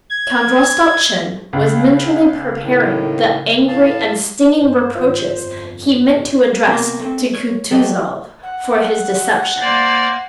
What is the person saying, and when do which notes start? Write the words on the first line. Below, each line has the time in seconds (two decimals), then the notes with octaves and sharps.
Count Rostopchin was mentally preparing the angry and stinging reproaches he meant to address to Kutuzov for his deception.
0.10 G#6
1.53 C#2
2.62 A2 D#3
3.68 A2 F5 A5
4.56 G2 C5
4.95 G#2 D#3 F4
5.31 G1 F2
6.67 C2 B2 A#3 C4
7.00 A3 A#3 C4
7.34 C#5
7.71 F#3 A3 G4 A4 D5 D#5
8.43 F#5
9.61 A#3 C5 D5